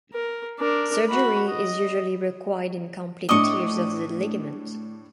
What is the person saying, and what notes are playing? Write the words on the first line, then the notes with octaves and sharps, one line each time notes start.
Surgery is usually required in complete tears of the ligament.
A#4
D4 A#4
F#4 B5
D#5
A2 D4 D#5 C#6 D6